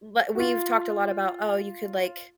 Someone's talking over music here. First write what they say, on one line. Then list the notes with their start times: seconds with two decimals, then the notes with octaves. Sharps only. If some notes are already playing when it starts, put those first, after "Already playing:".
w we've talked a lot about, "Oh, you could, like,
0.35 F#4
0.39 F4